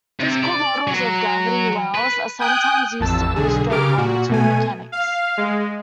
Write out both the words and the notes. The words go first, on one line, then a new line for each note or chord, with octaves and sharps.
Physical models of gravity wells are sometimes used to illustrate orbital mechanics.
C3
D5
F#3
B4
G5 G#5 D#6 F#6 G6
A1 F2 A5 E6
B1 D3 G#4
C#3 G4 A#4 D6 F6 D7
A#2 F#4
B2 A3 G#5
F5
G#3